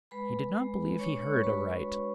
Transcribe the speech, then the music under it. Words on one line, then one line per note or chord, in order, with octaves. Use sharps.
He did not believe he heard aright.
G#3 B4 B5
G#3
D4 C#5 C#6
C#5 C#6
F#4 B4 B5